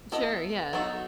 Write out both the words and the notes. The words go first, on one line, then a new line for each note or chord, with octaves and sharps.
Sure, yeah.
B3 E4 A4 D#5
F#3 B3 D#4 F#4 A4